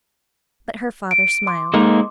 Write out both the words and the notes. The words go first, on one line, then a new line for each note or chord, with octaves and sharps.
But her father smiled.
D7
C6 D6
G#3 A#3 D#4